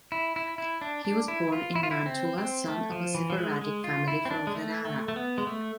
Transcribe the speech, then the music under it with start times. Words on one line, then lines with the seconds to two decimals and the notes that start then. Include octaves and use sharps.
He was born in Mantua, son of a Sephardic family from Ferrara.
0.12 E4
0.36 E4
0.58 E4
0.81 D4
1.05 D4
1.28 E4
1.52 F4
1.75 E4
1.83 F4
1.91 E4
2.06 C4
2.38 C4
2.68 A3
2.92 F3
3.15 E3
3.30 F3
3.38 G#3
3.61 G#3
3.84 F4
4.08 E4
4.25 C4
4.31 D4
4.47 G#3
4.55 A3
4.85 A3
5.08 A3
5.16 B3
5.38 G#3
5.47 A3